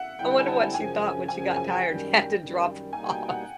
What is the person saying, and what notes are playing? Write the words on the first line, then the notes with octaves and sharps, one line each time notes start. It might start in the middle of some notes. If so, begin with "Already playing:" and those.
I wonder what she thought when she got tired, had to drop off.
Already playing: E5 F#5
D3 G3 C4 E4 G5
G5
G#5
A5
F#2 C#3 F3 G#5
F#2 C#3 F3 G#5
G#5
G5
F#2 D#3 G3
F#2 D#3 G3
B2 G3 A#3 D#4 G#5
G5
F#5